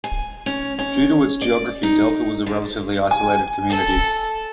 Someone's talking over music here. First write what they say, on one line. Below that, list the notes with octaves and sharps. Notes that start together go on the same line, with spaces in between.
Due to its geography, Delta was a relatively isolated community.
G#5
C#4
C#4
D5
D#4
D3
G#5
A4